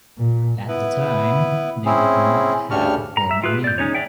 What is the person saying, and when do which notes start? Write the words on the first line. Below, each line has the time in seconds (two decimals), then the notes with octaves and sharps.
At the time, they did not have a formal name.
0.18 A#2
0.68 B3 E4 B4
1.86 C4 C#4 E4 G#4
2.71 D2 C#3 D4 G4 C#6 F6
3.17 A#5
3.31 E5
3.44 F4 G4 G#4 B4
3.64 D5 G6
3.78 G#3 C#4 D#4 C#5
3.95 C#5 D5 E5 G5